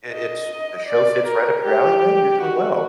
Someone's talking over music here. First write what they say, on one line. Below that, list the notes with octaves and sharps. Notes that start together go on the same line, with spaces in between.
I it's the show fits right up your alley, man, you're doing well."
D#5
D5
A#4
G4
F#4